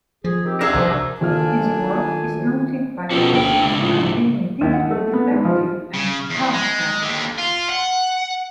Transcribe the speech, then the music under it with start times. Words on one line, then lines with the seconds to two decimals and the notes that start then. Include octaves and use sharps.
His work is noted by critics as being deeply reflective and heartfelt.
0.24 F3 G#4
0.44 D#3 C4 G4
0.61 D4 G#4 A#4 E5
0.74 C2 F#2 E3 F3
1.21 G#1 A#2 D4 A4 G#5 F6
3.11 B2 F3 C#4 F#4 G4 A4
3.33 D2 D3 G5
3.61 C#3 G#3 E4
3.78 A2 D3 F3
4.61 D#2
4.74 F#5
4.91 A3
5.13 B3
5.31 G#2
5.45 F3
5.94 C#3
6.30 E2
6.53 G#3
7.02 D#2 D3
7.38 F4
7.70 F#5